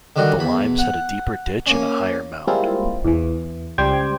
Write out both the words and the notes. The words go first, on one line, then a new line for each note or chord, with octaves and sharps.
The Limes had a deeper ditch and a higher mound.
D3 D#3 G3 F#4
E2 B5
F#5
A#3 C#4
G3 G#3 A#3 C4 E4 F4
E2 E3
C#2 G3 G4 C5 G5 G#6